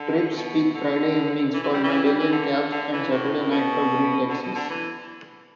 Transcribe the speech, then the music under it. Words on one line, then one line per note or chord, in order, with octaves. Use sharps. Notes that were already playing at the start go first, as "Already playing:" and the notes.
Trips peak Friday evenings for medallion cabs, and Saturday night for Green Taxis.
Already playing: D3
A2
B2
D3
E3
E3
G3
E3
G3
E3
D3
D3
E3
A2
B2
D3
B2
D3
E3